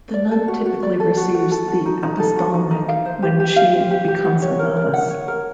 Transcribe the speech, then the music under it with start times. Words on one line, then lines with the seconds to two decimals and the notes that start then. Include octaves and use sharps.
The nun typically receives the apostolnik when she becomes a novice.
0.14 D5
0.31 A4
0.48 F#4
0.66 F#4
0.83 D5
1.00 A4
1.17 F#4
1.34 F#4
1.51 A4
1.68 F#4
1.86 D#4
2.03 D#4
2.20 A4
2.36 F#4
2.54 D#4
2.71 D#4
2.88 F5
3.05 C5
3.22 G4
3.40 G4
3.56 F5
3.74 C5
3.91 G4
4.08 G4
4.25 F#5
4.42 C#5
4.59 A#4
4.77 A#4
4.94 F#5
5.10 C#5
5.28 A#4